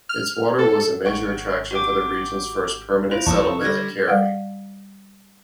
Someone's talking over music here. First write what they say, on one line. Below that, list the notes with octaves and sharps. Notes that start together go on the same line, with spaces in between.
Its water was a major attraction for the region's first permanent settlement at Carey.
F6
A4
G#1 F#5 G5 C#6
F#4 G4 G5 D6
E4 F4 C5 F7
F1 A#1 E2 A5 C#6 D#6 E6
D3 G3 G#6 A#6
G3 F5 F#5